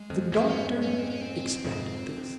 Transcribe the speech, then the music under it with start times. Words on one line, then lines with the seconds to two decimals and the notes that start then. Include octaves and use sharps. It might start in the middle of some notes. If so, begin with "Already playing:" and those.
The doctor expected this.
Already playing: G#3
0.10 F2
0.32 F2 G#2 A#3
0.49 C#4
0.82 C#4
0.99 C4
1.10 C#4
1.21 C4
1.64 F2 G#2